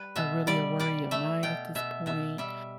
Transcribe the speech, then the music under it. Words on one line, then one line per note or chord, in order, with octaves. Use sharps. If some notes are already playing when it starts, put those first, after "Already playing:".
a really a worry of mine at this point."
Already playing: G3 B4
B2 E5
G3 D5
G3 D5
A3 E5
B2 G5
B2 E5
B2 E5
G3 E5